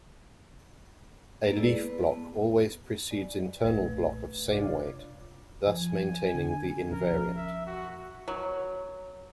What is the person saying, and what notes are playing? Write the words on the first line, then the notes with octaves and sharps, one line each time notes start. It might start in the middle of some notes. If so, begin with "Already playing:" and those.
A leaf block always precedes internal block of same weight, thus maintaining the invariant.
G#3 A#3 B3 G#4 A4
E4 G#4 B4 D5
B3 B4
A5
B3
D5
B1 A#2 A3 B4
C3 D4 F4 C#5
F3 G#5
D3
B1 F3 C#4 A#4
E5
F#4
F#3